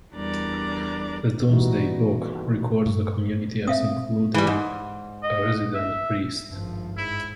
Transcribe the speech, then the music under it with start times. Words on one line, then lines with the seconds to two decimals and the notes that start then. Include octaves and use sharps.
The "Domesday Book" records the community as including a resident priest.
0.15 E2 G3 D4 A#4 D5
1.49 E3 G3 B3 D#4 E4 F#4
2.86 G2
3.67 C4 E5 F5 D#6
4.34 E3 G3
4.47 G#2
5.24 D#5
5.75 E5
6.52 G#1 G2 F3
6.97 G#2 E4